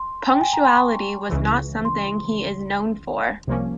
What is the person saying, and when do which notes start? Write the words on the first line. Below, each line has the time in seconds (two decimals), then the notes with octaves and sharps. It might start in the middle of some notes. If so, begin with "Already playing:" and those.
Punctuality was not something he is known for.
Already playing: C6
0.30 G5
0.41 G#5
0.53 A#5
0.65 C6
0.76 C#6
1.30 C#2 C#3 E3
1.85 C6
3.47 C2 C3 F3 A#3 C#4